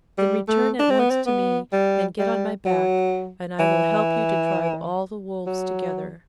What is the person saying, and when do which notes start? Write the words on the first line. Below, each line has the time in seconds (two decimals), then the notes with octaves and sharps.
Then return at once to me and get on my back, and I will help you to drive all the wolves together.'
0.18 G3
0.48 A3
0.79 D4
0.90 C4
0.99 B3
1.10 C4
1.26 B3
1.73 G3
2.19 G3
2.66 F#3
3.59 E3
5.46 F#3